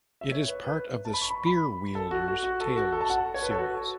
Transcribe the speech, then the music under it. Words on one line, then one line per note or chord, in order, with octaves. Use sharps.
It is part of the Spearwielder's Tales series.
E5
C#5
B4
B4
A5
B5
C#6
B5
B5
A4
F#4
F#4
F#4
A4
F#4
A4
A5
F#5
A5
C#5
B4
A4
F#4
A4